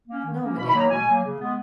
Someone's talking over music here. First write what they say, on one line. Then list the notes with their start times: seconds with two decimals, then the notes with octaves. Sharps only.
"No, Madame."
0.08 A#3 C#4
0.25 D#3
0.41 A#3 C#4
0.58 B2 B5
0.69 B5
0.74 F#3 A#3
0.80 A#5
0.90 B2 G#5
1.07 F#3 A#3
1.23 C#3
1.40 G#3 B3